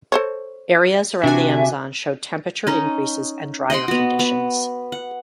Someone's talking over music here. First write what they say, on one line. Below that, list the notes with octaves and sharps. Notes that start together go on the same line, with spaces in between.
Areas around the Amazon show temperature increases and drier conditions.
A4 C5 C#5
C3 D4 F#4 E5 G#5
C#4 D#4
D#5 F#5 G5 C6
B3 F#4
B3
F#5